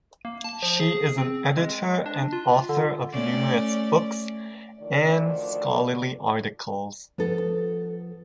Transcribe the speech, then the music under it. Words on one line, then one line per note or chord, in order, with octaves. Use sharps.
She is an editor and author of numerous books and scholarly articles.
A#3
A5
F3
G#4
C4
G#3
D4
F4
D3
A3 C#4 D5
D2 D#3 F3 D5
F3 B3 A4